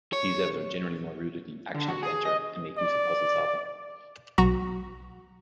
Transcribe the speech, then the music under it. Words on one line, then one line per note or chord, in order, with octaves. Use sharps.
These levels are generally more rooted in action-adventure, and make use of puzzle-solving.
C#5
D3
F#4
G#4
D#5
D5
B1 F#4 A#5